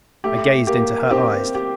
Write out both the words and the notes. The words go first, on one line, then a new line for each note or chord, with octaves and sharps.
I gazed into her eyes.
A3 G4
A#3 G4
C4 G4
G4